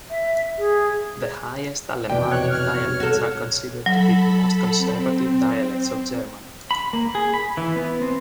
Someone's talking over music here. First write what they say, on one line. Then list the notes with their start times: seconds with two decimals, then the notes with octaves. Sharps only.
The Highest Alemannic dialects are considered to be the most conservative dialects of German.
0.10 E5
0.58 G#4
2.09 F1 E2 B2 D5 G5
2.32 C#5 F#6
2.50 F6
3.00 F#4 A4
3.86 F#3 A4 B5
4.77 C4
6.71 B5
6.93 A#3
7.15 G#4
7.34 B5
7.57 E3
7.76 B3
8.02 C4